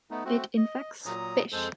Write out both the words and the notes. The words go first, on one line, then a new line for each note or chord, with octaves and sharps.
It infects fish.
A3 B3 D#4
A3 C4 F#4
D#5
A#2 F#3 A#5 D#6
F2 G#3 A4 C5